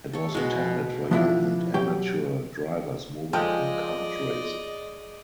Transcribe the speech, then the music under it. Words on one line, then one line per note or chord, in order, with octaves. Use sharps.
It was intended for young and amateur drivers moving from Kart racing.
A4 C#5
B2 G#3 G#4
F3 B3 D4 E4
F#3 G4 G5
F3 G#3 A4 D5 D#5 G5 F6